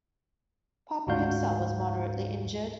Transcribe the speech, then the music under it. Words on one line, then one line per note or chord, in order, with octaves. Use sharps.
Popper himself was moderately injured.
D2 G#2 F4 F#4 F5 G6